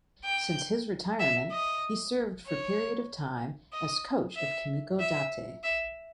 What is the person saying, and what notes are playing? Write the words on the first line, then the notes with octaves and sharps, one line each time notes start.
Since his retirement he served for period of time as coach of Kimiko Date.
G5
E5
D#5
C#5
D#5
E5
E5
E5